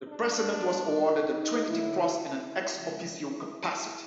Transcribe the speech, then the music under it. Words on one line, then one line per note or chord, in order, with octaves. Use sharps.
The President was awarded the Trinity Cross in an "ex officio" capacity.
D4
B2 G3
D#4
D3 F#3 E4
E4
C#3 F3 G#3
E4